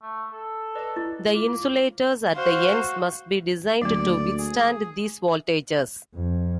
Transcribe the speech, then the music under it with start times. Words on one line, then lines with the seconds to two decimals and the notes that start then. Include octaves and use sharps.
The insulators at the ends must be designed to withstand these voltages.
0.02 A3
0.32 A4
0.75 B4 D5 D#5
0.96 E4
1.34 A#3 F4
2.36 F#4 C5 F5
3.82 D2 F#3 A#3 D5
4.38 G#4
6.15 F2